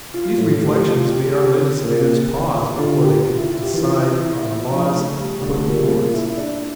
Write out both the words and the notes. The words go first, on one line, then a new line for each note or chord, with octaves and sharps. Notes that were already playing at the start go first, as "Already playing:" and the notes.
These reflections made our legislators pause, before they could decide on the laws to be put in force.
F4
A2
G4
G4
F4
G4
G4
A#2
D3 F4
G4
F4
E4
F4
G4
E3 F4
E4
F3 D4
A3
G3
D3
A3
A#2 G3
F4
E4
D4